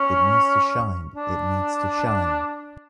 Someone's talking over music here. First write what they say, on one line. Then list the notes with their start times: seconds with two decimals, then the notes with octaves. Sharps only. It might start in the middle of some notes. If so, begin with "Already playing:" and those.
It needs to shine! It needs to shine!
Already playing: C#4
1.15 D4